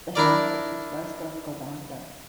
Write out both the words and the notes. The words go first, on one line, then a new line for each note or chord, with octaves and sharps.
The hamlet is west of Gowanda.
D4 E4 A#4 D5